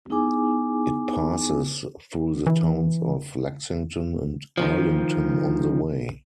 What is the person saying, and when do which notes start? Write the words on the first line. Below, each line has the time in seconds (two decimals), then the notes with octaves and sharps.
It passes through the towns of Lexington and Arlington on the way.
0.10 B3 D#4 E4 G#4 G#5 D6
2.46 E3
4.57 D#3 F3